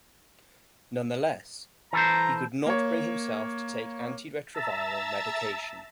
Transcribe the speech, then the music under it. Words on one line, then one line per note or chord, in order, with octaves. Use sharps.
Nonetheless, he could not bring himself to take antiretroviral medication.
E3 A4 C5 A#5
A#3 C#5
E5 A5 A#5 E6 A6